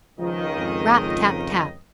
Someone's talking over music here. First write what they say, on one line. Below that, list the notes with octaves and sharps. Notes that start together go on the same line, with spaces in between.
Rap! tap! tap!
C#2 D#3 F3 D#5
F2